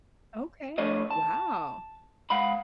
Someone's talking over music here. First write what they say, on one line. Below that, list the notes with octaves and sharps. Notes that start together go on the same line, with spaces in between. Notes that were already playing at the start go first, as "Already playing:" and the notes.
Okay. Wow.
F3 A3 D4 C#5 D#5
A5
G#3 F5 F#5 B5